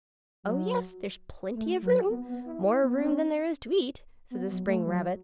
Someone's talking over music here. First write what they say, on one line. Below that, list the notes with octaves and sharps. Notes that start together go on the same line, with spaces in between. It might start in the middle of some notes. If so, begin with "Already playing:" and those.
"Oh, yes, there's plenty of room--more room than there is to eat," said the spring rabbit.
F#3
A3
F#3
B3
B3
E4
E4
B3
B3
C#4
B3
F#3
A3
F#3